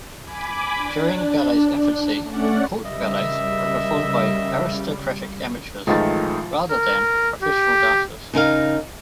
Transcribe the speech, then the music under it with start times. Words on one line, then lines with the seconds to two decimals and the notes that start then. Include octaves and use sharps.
During ballet's infancy, court ballets were performed by aristocratic amateurs rather than professional dancers.
0.22 G#5 B5 D6
0.76 D4
2.22 A3 C#4 D5 F#5
2.83 C#3 G3 A#4 D#5 E5
5.87 A1 D#3 F3 G#3 A3 D#4 A6
6.70 A#4
7.42 G4
8.33 C#3 D#4 A#4 F5